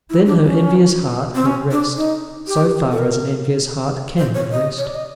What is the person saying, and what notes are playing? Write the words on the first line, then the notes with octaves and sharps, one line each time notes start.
Then her envious heart had rest, so far as an envious heart can have rest.
E4
D4
C#4
C4
C#4
D4
D#4
G4
A4
A#4
C5
C#5
D#5
C#5
D5
D#5